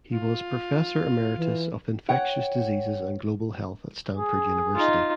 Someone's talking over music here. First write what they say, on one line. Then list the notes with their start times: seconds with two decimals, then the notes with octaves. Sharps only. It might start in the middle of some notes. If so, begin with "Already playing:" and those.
He was professor emeritus of infectious diseases and global health at Stanford University.
0.12 F4
1.37 E3
2.08 C#5 F#5 G5
4.17 G#4
4.75 D#4 F4